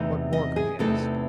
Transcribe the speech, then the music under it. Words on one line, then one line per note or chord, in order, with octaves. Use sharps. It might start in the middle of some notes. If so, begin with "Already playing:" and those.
What more could they ask?
Already playing: E2 C3 E3 A3 D#4
D#5
G#4
E2 C3 E3 A3 D#4 A4